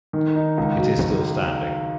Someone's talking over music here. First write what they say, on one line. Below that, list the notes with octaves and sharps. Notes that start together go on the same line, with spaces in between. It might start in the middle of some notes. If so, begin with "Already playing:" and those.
It is still standing.
D#3
D#4
C#2
F#3